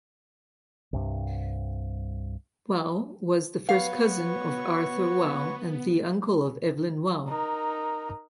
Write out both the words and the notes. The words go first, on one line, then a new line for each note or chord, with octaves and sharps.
Waugh was the first cousin of Arthur Waugh and the uncle of Evelyn Waugh.
C2 G2 C3
B3 F#4 B4 C#5 F5 C#6
D#4 A#4